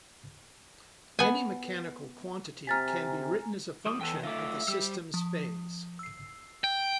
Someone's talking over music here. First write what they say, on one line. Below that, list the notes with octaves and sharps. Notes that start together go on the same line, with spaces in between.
Any mechanical quantity can be written as a function of the system's phase.
B3 G#5
C3 G#5 A#5 F6 A6 B6
E3 G3 D#6
E2 A4 B4 G5
A3 F4 D#5 E5 D6
G3 C5 E6
F3
E6 C7
G5